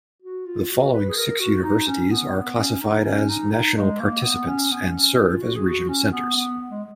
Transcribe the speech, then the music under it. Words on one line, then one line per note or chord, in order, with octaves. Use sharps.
The following six universities are classified as "national participants" and serve as regional centers.
F#4
F4
F#4
B4
G#4
A#4
F#4
D#4
C#4
B3
B3
C#4
D#4
C#4
D#4
D#4
G#3
A#3
B3
C#4
B3
C#4
F4
F#4
G#4
F#4
C#4
B3
B3
G#3